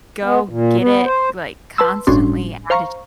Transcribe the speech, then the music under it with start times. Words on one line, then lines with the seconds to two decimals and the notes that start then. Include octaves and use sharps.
go get it, like, constantly added,
0.23 B3
0.49 A#2
0.79 B3
1.05 C5
1.78 B4 A5 C6 E6
2.07 G1 A2 C#4 D4 F#4 C6
2.70 C5 F5 A#5 C#6